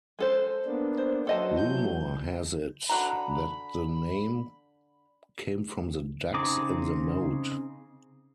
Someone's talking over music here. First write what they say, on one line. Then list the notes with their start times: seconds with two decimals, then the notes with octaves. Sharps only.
Rumour has it that the name came from the ducks in the moat.
0.19 G#3 A4 C5
0.65 A#3 B3 D4
0.98 C5
1.27 F#3 F#4 A4 C5 D#5 A5
1.57 E3 F#3 G6
2.89 D3 F#4 A#5 B5
6.34 C#3 C4 D#4 G#4 D6